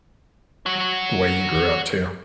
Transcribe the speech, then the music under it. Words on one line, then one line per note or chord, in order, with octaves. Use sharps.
the way you grew up too,
F#4 C#5